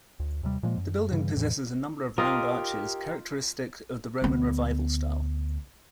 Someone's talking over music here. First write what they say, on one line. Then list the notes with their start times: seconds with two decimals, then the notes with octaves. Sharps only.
The building possesses a number of round arches characteristic of the Roman Revival style.
0.20 D2
0.43 D#2 C3 G3
0.63 A#2 F3 G#3 A#3
0.78 F#2
1.11 G2 C#3 E3 G3
1.36 E2 A2 E3
2.18 F4 G4 A#4 D#5
4.22 D2 B3